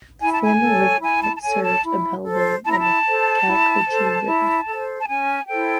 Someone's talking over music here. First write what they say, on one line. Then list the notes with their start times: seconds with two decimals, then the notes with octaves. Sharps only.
The former river port served Abbeville on the Chattahoochee River.
0.21 E4 G#5
0.32 A5
0.42 G#5
0.62 A4 C#5
1.01 E4 G#5
1.23 A5
1.35 A5
1.42 A4 C#5 G#5
1.62 A5
1.83 E4
2.24 A4 C5
2.64 E4 A5
2.72 A#5
2.80 A5
3.05 A4 C5
3.46 E4
3.86 A4 C5
4.27 E4
4.67 A4 C5
5.01 A5
5.07 C#4 G#5
5.48 E4 A4 C5 G5